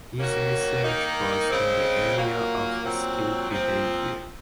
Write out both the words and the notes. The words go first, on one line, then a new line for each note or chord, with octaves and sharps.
His research was in the area of skilled behaviour.
D#3 A#3 C#4 F#4
D#3 A#3 D#4
C#3 G#3 C4
A#2 F#3 A#3
A#2 F#3 C4
A#2 F3 C4